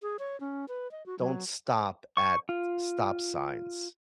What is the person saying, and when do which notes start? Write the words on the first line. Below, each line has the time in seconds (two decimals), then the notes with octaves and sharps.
don't stop at stop signs,
0.02 G#4
0.19 C#5
0.40 C#4
0.68 B4
0.91 D#5
1.06 F#4
1.19 F#3
2.17 C#6
2.49 F4